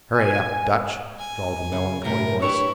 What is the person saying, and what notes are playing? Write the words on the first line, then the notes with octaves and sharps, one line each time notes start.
"Hurry up, Dutch!" drawled a melancholy voice.
G#5
G#5
C#3
A2 C3 G3 A#4
D4 E4 G4 B4 C#5